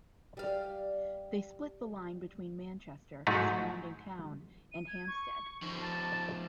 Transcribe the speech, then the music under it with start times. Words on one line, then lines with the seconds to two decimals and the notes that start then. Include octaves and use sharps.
They split the line between Manchester, a surrounding town, and Hampstead.
0.37 G3 F5
3.27 G#2 F#3 G#3 A3 D#4 E4
4.72 D#7
4.88 G#6
5.08 C#6
5.62 F3 D#4 C5
5.81 A5